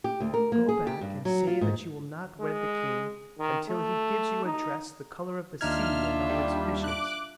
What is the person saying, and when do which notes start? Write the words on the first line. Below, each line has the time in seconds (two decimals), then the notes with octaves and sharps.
"Go back and say that you will not wed the king until he gives you a dress the colour of the sea and all its fishes."
0.04 G4
0.20 D2
0.34 A#4
0.52 A#3
0.69 G#4
0.87 G4
1.01 G2
1.25 F#3
1.47 F4
1.61 G#2
2.40 G#3
3.39 D#3
3.69 A3
4.45 D#4
5.61 D#2 D4 D#4 F4 E5 F6 G#6
6.29 G3
6.84 D6 F#6